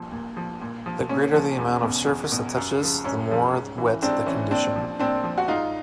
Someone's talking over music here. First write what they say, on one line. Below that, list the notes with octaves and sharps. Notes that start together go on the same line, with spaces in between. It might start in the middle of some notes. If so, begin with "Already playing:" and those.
The greater the amount of surface that touches the more wet the condition.
Already playing: A#2 F3
A#2
F3
A#2
F3
A#2 C#4
F3
E2
B2
E2
B2
F#2
C#3 F3
F#2 C#4
C#3 F3
G#2
E3
G#2 C4 D4
E3 C#4
A#2 C4 D4
F3
A#2 C4 D4
F3
F#4
G#2 D#4 F4